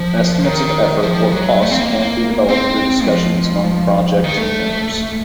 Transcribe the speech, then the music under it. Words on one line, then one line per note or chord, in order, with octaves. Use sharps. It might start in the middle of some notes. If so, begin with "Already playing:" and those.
Estimates of effort or cost can be developed through discussions among project team members.
Already playing: F3
D#3
F3
F#3
A3
C4
A#3
C4
F3
D#3
A3